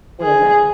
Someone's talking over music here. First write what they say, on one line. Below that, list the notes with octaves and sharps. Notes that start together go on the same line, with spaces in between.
What is it?
G#4